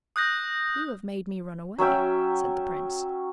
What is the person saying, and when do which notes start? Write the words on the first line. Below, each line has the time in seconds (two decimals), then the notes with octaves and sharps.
'You have made me run away,' said the prince.
0.16 D#6 F#6 G6 A#6
1.78 F#3 C#4 E5 G5